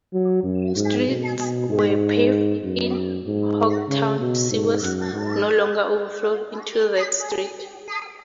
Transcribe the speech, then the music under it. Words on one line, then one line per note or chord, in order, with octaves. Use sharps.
Streets were paved in hog town, sewers no longer overflowed into the dirt streets.
F#3
F#2
G#2
B2
B2
G#2
F#2
G#2
C#3
B2
G#2
F#2
G#2